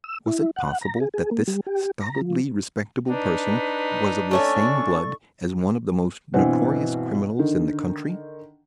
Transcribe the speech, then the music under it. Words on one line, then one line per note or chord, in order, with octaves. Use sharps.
Was it possible that this stolidly respectable person was of the same blood as one of the most notorious criminals in the country?
E6
E4
F#5
A#5
G#4
G#4
A#3
G3
G4
A#5
F3
D4 D#4 B4
A3 C#4 A4 D5 E5 C#6
G2 B2 E3 C4 F#5
D3 D#3